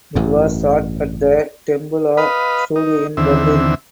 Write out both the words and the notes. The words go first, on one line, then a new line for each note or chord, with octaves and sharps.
It was shot at the Tempelhof Studios in Berlin.
A1 G2
B4 D#5 F5 B5
D#4
D#2 D3 E3 C4 E5